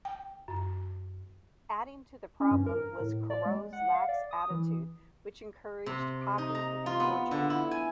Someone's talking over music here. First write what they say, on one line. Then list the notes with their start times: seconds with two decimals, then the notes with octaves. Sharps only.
Adding to the problem was Corot's lax attitude which encouraged copying and forgery.
0.05 G5
0.48 F#2
2.40 C#4
2.51 G2
2.66 A#4
3.00 A2
3.30 D5
3.46 G#3
3.73 F#5
3.95 F5
4.08 D5
4.31 D#6
4.50 E3
5.86 C3
6.38 D#4
6.55 A#5
6.86 F4
7.00 B3
7.31 D3
7.50 E4
7.71 G#5